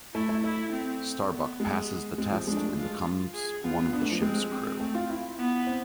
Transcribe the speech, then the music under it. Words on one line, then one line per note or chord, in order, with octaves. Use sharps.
Starbuck passes the test and becomes one of the Ship's crew.
A3 E4
A3
A3 E4
C4
B3
G#3
G#3 C4
F3
G#3 D4
A3
G#3
F4
G#4
B3 F4
B3
B3 D4
A3
F3
G#3 C4
C4
A3
F4
E4
B3
C4